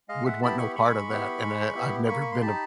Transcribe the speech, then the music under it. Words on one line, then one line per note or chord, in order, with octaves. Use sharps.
would want no part of that, and I I've never been a
G#3 D#5 F5
E5 F#5
B3 E4 G4 A5 B5
B5 C#6
G#3 B5 C#6
B3 E4 G4
G#3
B3 E4 G4
A#3 B5 C#6
C#6
C6
D#4 G4 A5 B5